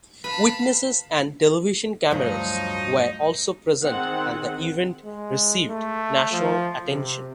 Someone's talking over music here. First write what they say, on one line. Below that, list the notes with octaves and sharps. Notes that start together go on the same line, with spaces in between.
Witnesses and television cameras were also present and the event received national attention.
B4 F5 A5 B5
D2 G2 F3 F#3 D#4
D#3 C4 G#4 F#5
G#3
A3
F3
C3